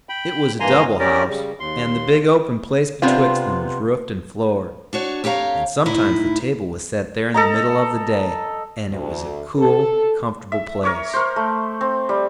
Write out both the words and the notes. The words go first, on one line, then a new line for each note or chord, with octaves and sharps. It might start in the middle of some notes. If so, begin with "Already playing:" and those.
It was a double house, and the big open place betwixt them was roofed and floored, and sometimes the table was set there in the middle of the day, and it was a cool, comfortable place.
G5 B5
G2 E3 A#3 G#5 A#5 C6
C#4 G4 A#4 D5
C#3 G3
D#2 C6
C3 B3 C4 D4 F4
D4 F#4 C#5
F2 G4 C#5 F5 A#5
A2 D#4 E4
A4 D#5 A#5
D2
A4
E5
A#4 C#5 D6
A#4 C5
A3
C4
G3